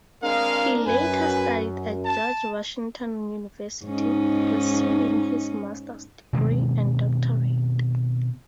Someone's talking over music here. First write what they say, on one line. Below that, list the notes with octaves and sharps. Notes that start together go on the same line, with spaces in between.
He later studied at George Washington University, receiving his master's degree and doctorate.
G#3 C4 D4 A#4 F5
F#2 B4 G#5
A5
G#2 C#4 D#4
B2 D#3 G#3 C4